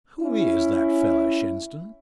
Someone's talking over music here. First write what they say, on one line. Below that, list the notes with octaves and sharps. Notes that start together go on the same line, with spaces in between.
"Who is that fella, Shenstone?"
C#4 E4